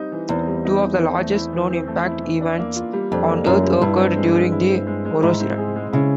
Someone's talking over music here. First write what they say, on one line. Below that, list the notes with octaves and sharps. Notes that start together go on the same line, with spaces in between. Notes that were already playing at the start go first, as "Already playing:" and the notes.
Two of the largest known impact events on Earth occurred during the Orosirian.
Already playing: G3 C4 D#4
E3
E2 C4
G3
D#4
E3
C4
A3
E4
E3
C4
A3
E4
E3
D4
A#3
F4
G3
F2 D4
A#3
F#2 F4
G3
G2 E4
C4
G#3
G#3
E4
C4
G#3
G#3
G#2 E4
C4
G#4
G#3
C#3 E4